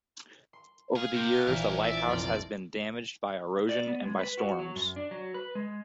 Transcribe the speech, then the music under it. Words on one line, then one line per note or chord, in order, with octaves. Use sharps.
Over the years, the Lighthouse has been damaged by erosion and by storms.
C6
G#4 F5
C3 C6 G6 A#6
A#1 E3 E4 A#4
D5 E5
F1 C4 F4
D5
B3
G#3
B4
F#4
F#3
F#2
D4
F#3
B4
G#3